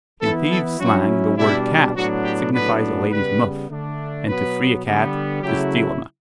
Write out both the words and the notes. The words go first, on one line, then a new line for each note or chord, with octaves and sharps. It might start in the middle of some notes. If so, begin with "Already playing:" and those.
In thieves' slang the word "Cat" signifies a lady's muff, and "to free a cat" to steal a muff.
E3 B3 E4 A4
A4
F#3 C#4 E4 F#4
B2 G3 D4 E4
A2 F#3 B3 D4 F#4
G4
A2 F#3 B3 D4 B4
C#3 G3 B3 B4
D3 A3 D4
B2 F#3 B3 B4
D3 G3 B3
C#3 F#3 A3 E4 G4